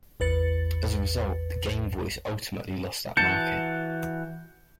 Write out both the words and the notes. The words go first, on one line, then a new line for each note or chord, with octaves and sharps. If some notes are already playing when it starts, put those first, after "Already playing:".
As a result, the Game Voice ultimately lost that market.
A1 E2 B4 A6 C#7
E3 F#4 A5 G6 C#7